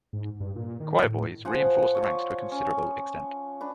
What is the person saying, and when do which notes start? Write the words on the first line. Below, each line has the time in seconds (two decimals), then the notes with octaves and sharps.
Choirboys reinforce the ranks to a considerable extent.
0.13 G#2
0.40 G2
0.56 A#2
0.80 D#3
1.04 A2
1.45 F3 C5 F#5 G#5
1.95 F3 C#5
2.52 C#4
3.61 D4 B4